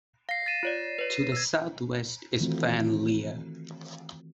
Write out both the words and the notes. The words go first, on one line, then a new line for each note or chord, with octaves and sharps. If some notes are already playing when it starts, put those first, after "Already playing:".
To the south-west is Fan Llia.
F5 A#6 C7
A6 D#7 E7
F4 C#5 D5
B4 C#5
E6 G#6
D#3 E3 A3 C4 F4 F#4